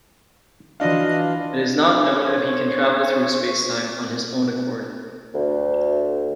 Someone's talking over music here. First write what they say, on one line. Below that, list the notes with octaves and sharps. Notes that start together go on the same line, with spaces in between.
It is not known if he can travel through space-time on his own accord.
E3 D4 F4 F#4 D#5 F5
C5 C#5
D2